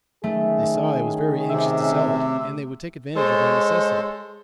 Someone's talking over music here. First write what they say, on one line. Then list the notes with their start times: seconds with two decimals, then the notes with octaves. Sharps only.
They saw I was very anxious to sell it, and they would take advantage of my necessity.
0.24 D#3 A3 C#4 G#4
1.50 C3 E5
3.16 G#3 A4 C5 C#5